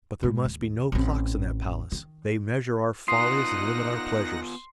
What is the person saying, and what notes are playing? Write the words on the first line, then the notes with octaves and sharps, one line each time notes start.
But there must be no clocks in that palace--they measure our follies and limit our pleasures.
G#2 B2
D#2
A1 C4
D#3
B3 D#4 F4 F#5 C6 D#6 A#6 C7